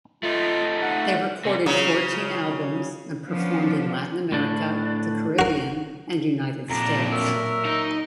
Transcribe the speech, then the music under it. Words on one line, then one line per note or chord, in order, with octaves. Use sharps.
They recorded fourteen albums and performed in Latin America, the Caribbean and United States.
A3 D#4 F4
F#5
C3 C#4
C#3 F#3
F3 B3 C#4 D4
A2 D4
F#4 A#4
F2 A#2 D4 A#5
F#3 A#4 E5
D#4 A#5